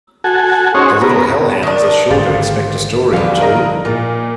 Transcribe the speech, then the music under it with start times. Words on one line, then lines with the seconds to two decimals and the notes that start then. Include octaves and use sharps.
The little hell hounds are sure to expect a story or two.
0.24 F#4 A4 G#5
0.74 C#4 D#4 F#4 G#4 C5 C#5
1.01 B3 A#4
1.63 D#3 D4
2.11 G#1 D3 G4 C5 F5 A6
3.13 E2 G2 D3 F3 G3 F5
3.41 A#4 D#5 A#5
3.85 A#2 F4